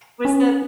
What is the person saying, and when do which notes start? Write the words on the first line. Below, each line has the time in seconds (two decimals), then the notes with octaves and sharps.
Was that
0.25 C#4